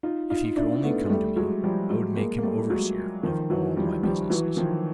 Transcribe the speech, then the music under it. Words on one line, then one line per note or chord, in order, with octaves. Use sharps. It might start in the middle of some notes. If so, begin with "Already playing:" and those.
If he could only come to me I would make him overseer of all my business.
D#4 F4
D#4 F4
F4
D4 E4
A3 B3
G#3
G3 A3
F#3 G#3
F3 G3
F#3 G#3
G#3 A#3
A#3
G3 A3
F#3 G#3
D#3 F3
E3 F#3
F3 G3
F3 G3
E3 F#3
D#3 F3